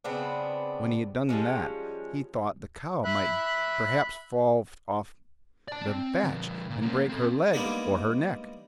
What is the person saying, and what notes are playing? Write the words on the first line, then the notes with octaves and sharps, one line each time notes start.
When he had done that, he thought the cow might perhaps fall off the thatch and break her legs or her neck.
C#3 B3 C4 D4
F3 G3 G#3 C#4
E5 B5 F#6
D5 A5
C4
D3 F3
A#2
A#3 C#4
C4 A4
G3 G#3 A#3 B3 D4 D#4